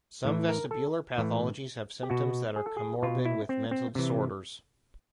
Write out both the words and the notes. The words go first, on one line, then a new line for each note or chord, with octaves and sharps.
Some vestibular pathologies have symptoms that are comorbid with mental disorders.
A2 E3
A#4
A4
A2 E3
G4
B2 F#4
G#4
A4
G#4
B2 F4
E4
C4
C4
C3 E3